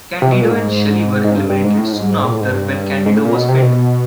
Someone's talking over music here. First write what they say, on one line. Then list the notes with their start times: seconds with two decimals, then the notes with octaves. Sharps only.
Candido and Shelley were eliminated soon after when Candido was pinned.
0.22 C3
0.32 B2
0.42 A#2
0.51 G#2
1.24 G#2
1.35 G2
1.50 G2
1.64 G#2
1.78 A2
1.93 G#2
2.24 A#2
2.32 A2
2.41 G#2
2.49 G2
3.06 G#2
3.16 A2
3.25 A#2
3.34 B2
3.49 C3
3.62 B2